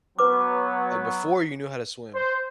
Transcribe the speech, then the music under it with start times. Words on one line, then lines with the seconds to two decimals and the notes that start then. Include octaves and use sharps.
like, before you knew how to swim,
0.19 F#3 B3 B4 D6
2.15 C5